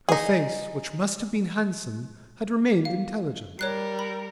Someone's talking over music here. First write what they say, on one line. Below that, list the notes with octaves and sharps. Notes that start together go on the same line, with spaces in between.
Her face, which must have been handsome, had remained intelligent.
D#4 G#4
F5
G3 A#4 C#5 F#6 C7
B5